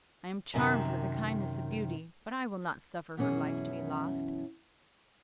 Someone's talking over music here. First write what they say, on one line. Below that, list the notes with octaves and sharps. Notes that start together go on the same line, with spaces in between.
I am charmed with the kindness of Beauty, but I will not suffer her life to be lost.
F#2 C3 D#3
F#2 B2 E3 C#4 E4 G#4